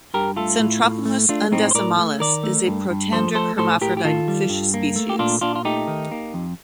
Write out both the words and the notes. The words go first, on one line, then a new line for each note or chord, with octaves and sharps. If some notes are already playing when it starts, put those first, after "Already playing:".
"Centropumis undecimalis" is a protandric hermaphrodite fish species.
G2 G4 A#4
A3 F4 A4
A2
A2
A3
A3 D4 F4
A2 C4 D#4
C5
A2 A#4 D5
A3
D#3 A#4 D5
A3
G2
G2
F3 A4 C5
A3 A4 C5
A2 A4 C5
A2 G4 A#4
G4
D#3 F4 A4
G3
G2
A#3
A3
G4
A#2 D4 F4
A#2 D4 F4
F4
A3 D#4 G4
D#3
A#3
F2